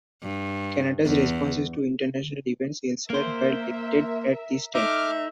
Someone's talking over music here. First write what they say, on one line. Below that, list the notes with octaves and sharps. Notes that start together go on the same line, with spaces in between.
Canada's responses to international events elsewhere were limited at this time.
G2
E2
A#3 A#4 C5 E5
A3 D#4 E5 D6 F6